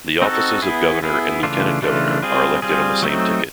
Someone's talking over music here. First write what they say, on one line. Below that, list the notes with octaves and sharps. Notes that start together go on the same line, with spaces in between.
The offices of governor and lieutenant governor are elected on the same ticket.
C4 D#4 F#4 A4
B3 E4 G#4
B3 E4 G#4
C#3 E3 A3 D4 F4
C#3 E3 A3 D4 F4
G3 C4 F4 G#4
G3 C4 F4 G#4
F#3 A3 C4 D#4